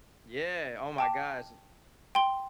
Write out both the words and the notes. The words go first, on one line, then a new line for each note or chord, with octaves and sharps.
Yeah! Oh, my gosh.
G5 A5 D6
G5 C6 G7